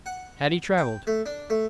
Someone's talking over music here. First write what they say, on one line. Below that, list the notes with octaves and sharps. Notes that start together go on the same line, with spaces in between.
Had he travelled?
F#5
G5
A3
D4
A3